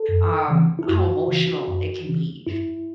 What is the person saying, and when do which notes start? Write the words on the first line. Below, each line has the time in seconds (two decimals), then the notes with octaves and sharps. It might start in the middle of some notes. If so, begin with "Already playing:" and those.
um, how emotional it can be,
Already playing: A4
0.09 F#2
0.48 C#3 E3
0.79 E4
0.88 F#2 F#4
1.28 C#3 E3
1.68 F#2
2.07 C#3 E3
2.47 G2 E4